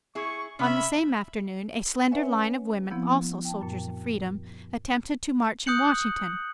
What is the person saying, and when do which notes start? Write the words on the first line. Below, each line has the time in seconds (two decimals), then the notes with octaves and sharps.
On the same afternoon a slender line of women-also "soldiers of freedom"-attempted to march in Washington.
0.15 E4 G#4 C#6
0.59 C3 C#4 E5 B5
2.11 C#4 B4 C#5 E5 F#5 G#5
2.90 F3 B3 C4 E4 F#5 G6
3.45 G5 A5
3.61 F#2 A#2
5.66 D#6 F#6 G6 C#7 F#7